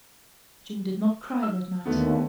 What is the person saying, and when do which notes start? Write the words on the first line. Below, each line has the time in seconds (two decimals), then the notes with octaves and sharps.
June did not cry that night.
1.43 E6
1.86 D#2 D3 A3 B3